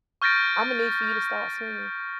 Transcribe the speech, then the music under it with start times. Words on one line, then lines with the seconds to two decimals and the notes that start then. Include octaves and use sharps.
Imma need for you to start swinging,
0.22 C#6 F6 G6 A6 A#6 D7